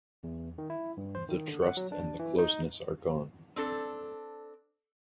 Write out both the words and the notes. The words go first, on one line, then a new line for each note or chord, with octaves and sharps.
The trust and the closeness are gone.
E2
D#3
E4
G2
C5
D#3
D3
F#5
F#3
D4
E3
D#4
C4 D4 A4